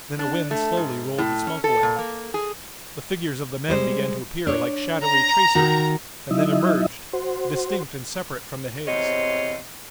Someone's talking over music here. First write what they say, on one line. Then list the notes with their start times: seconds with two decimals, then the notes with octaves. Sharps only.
Then a wind slowly rolled the smoke away. The figures of the men began to appear like shadowy tracery, and then emerged, distinct and separate from the haze.
0.19 D4
0.51 A3
0.77 G#2
1.18 A2
1.47 C#4
1.64 A4
1.83 A#2
1.99 A#3
2.34 G#4
3.68 G3 G#3 C5
4.47 D4 C#5
5.03 A#5
5.55 D#3 F#4
6.31 F#3 D#4 E4 D#5 E5
7.13 F#4 C5
8.87 E2 C3 C5 C#5 D#5